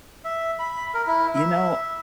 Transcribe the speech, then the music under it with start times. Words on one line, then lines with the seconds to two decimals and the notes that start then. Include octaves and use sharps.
You know,
0.25 E5
0.59 B5
0.94 A#4
1.07 E4
1.36 E5